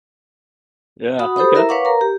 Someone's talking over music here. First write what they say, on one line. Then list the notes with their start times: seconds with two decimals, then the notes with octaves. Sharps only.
Yeah. Okay.
1.19 F#4 F#5 B5 D#6
1.36 G4 A4 C5 B5 D#6
1.55 E4 A#4 E5 A#5
1.69 B4 C#5 F5 F#5 C#6 D6
1.85 A#4 A#5
2.01 G4